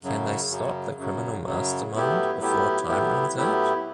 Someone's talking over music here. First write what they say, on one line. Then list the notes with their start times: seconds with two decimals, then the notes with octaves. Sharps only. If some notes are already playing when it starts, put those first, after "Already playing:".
Can they stop the criminal mastermind before time runs out?
0.03 F#2 C#3 F#3
0.50 F#2 C#3 F#3
0.97 F#2 C#3 F#3
1.45 F#2 C#3 F#3
1.93 A2 F#3 B3 E4 G4
2.40 A2 F#3 B3 E4 G4
2.87 A2 F#3 B3 E4 G4
3.35 A2 F#3 B3 E4 G4